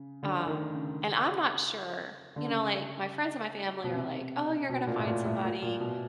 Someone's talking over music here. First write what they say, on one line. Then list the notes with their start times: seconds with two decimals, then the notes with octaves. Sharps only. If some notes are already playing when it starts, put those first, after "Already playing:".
um and I'm not sure You know, like, my friends and my family are like, "Oh, you're gonna find somebody,"
Already playing: C#3
0.23 D3
0.47 D#3
0.72 C#3
2.36 D3
2.46 C#3
3.84 B2
3.95 C3
4.69 B2
4.87 A#2
4.99 A2
5.07 A#2
5.25 A2
5.43 A#2
5.62 A#2
5.80 B2